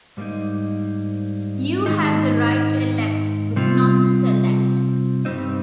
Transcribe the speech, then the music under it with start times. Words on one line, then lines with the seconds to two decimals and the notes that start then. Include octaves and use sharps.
You have the right to elect but not to select.
0.17 G#2 G3 A#3 D#4
1.86 G#2 D#3 G#3 D#4
3.56 C3 G3 C4 F4
5.25 G2 G3 C4 D#4